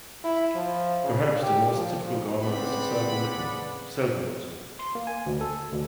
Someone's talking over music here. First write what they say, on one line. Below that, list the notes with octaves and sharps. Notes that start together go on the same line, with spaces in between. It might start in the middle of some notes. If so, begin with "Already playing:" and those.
Perhaps the most typical garment is the Selbu mitten, "selbuvott".
E4
F3
C#3
G4
F3
C#3 C4 G#4 B4 D5 F#5 B5
C6
A#3
G#5
D2
A4
D2